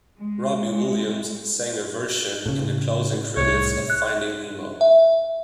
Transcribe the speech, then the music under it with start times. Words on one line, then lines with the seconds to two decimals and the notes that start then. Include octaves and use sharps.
Robbie Williams sang a version in the closing credits of Finding Nemo.
0.19 G#3
2.46 A2 C#3
3.37 C2 A2 C#5
3.90 F#6
4.81 E5